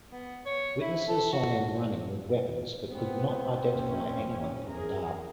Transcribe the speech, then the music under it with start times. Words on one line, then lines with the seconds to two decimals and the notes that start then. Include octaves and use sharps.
Witnesses saw men running with weapons but could not identify anyone in the dark.
0.12 B3
0.46 C#5
0.81 E4
1.08 A4
1.33 F#4
2.92 C#2 B3 C4
3.73 B1 E2 A#2 C#4
4.67 E2 G#4 A#4